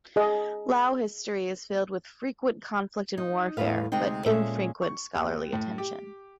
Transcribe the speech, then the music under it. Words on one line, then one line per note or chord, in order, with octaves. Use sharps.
Lao history is filled with frequent conflict and warfare, but infrequent scholarly attention.
G#4 D#5
D#4
E2 A2 C#3 B4 F5
D2 C3 G#3 C4 D#4 G5
A#2 G#3 C#4 A4 E5
C#6
D#2
A2
G4